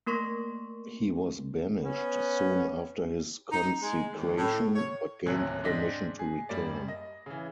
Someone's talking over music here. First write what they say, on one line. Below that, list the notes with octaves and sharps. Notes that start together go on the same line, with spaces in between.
He was banished soon after his consecration, but gained permission to return.
A3 A#3 A#4 C6 C#6 A#6
B3 C#4
D#4
G#3
D#2
A2
C#5
D1 D#2 C3 C#4 F#6 G#6
G#2 C4 D4 D#5 A#6 B6
G#4
F#2 G3 A#3 D5
D#5
C#3 E3